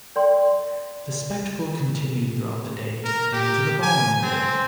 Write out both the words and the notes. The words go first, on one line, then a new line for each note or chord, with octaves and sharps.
The spectacle continued throughout the day and into the following day.
D5 G5 C6
A#4
G4
G#5
C4